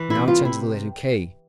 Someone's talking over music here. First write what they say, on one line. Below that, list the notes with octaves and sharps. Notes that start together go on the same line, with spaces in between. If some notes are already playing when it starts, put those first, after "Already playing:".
Now turn to the letter k.
Already playing: E3
E4
C3
F4
C3
E4